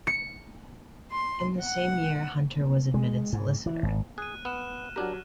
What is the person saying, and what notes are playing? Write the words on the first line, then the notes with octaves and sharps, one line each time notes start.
In the same year Hunter was admitted solicitor.
C#7
C6
F#5
G#3
G#2
E3
G#1
G#4 F#6 D#7
B3 F6 F#6 E7
F#3 D4 G4 A#4